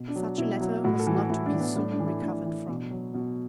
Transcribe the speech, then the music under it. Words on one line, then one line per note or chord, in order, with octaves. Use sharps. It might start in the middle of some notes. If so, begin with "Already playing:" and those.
Such a letter was not to be soon recovered from.
Already playing: B2
D4
F#3
B2 E4
F#3
A2 F#4
A4
E3
F#4
A2 E4
D4
E3
B3
A2 D4
D4
E3
E4
A2 D4
E3
B2
F#3
B2